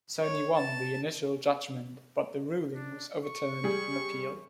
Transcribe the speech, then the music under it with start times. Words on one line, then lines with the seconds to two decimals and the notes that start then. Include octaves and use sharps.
Sony won the initial judgment, but the ruling was overturned on appeal.
0.22 C#5
0.56 A5
2.75 D4
3.24 C#6
3.64 G3 G#4